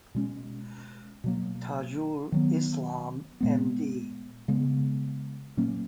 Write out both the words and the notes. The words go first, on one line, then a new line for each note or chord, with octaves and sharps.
Tajul Islam Md.
B2 G#3 C#4
B2 F#3 A#3
D#3 F#3 B3
A#2 G#3 B3
C#3 G#3 B3
A#2 F#3 A#3 C#4